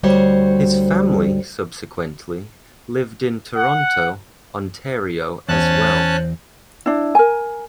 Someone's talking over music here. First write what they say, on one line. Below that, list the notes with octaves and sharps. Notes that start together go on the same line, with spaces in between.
His family subsequently lived in Toronto, Ontario as well.
D2 G3 F#4 C5 C#5
F#5
E2 C#4 C5 A5 F#6
D4 E4
A#4 G#5